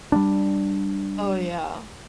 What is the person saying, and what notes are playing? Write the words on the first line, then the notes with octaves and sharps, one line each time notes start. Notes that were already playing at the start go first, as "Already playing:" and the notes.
Oh, yeah.
G3 A#3 D4